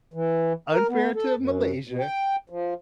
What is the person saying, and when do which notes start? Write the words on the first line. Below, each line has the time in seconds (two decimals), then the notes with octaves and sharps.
unfair to Malaysia,
0.14 E3
0.72 A#4
0.89 B3
1.15 A4
1.38 F#2
1.88 B2
2.00 G5
2.50 F3